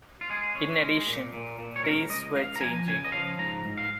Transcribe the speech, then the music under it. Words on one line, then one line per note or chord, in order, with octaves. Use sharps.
In addition, tastes were changing.
F4
G#3 G#4
C#4
G#3
A#2
A#2
A#2
C#5
C#2 A#4
C#2 D#5
C#2 F5
A#5
F3 G#5
C#3 G#5
D#5
F3 F5
G#2 A#5
G#2
F5